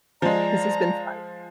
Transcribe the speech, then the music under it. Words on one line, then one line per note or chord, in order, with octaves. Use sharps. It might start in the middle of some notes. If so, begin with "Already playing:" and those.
This has been fun.
F3 G#3 D5 A#5